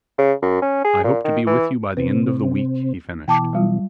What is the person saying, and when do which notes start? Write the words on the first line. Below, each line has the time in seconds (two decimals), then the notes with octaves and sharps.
"I hope to be with you by the end of the week," he finished.
0.18 C#3
0.42 F#2
0.62 C#4
0.84 G#4
1.04 A#2
1.25 D#3
1.47 E3
1.97 C3 C4 B4
3.28 B2 E3 G5 A5 D6
3.53 F#3 G3 F4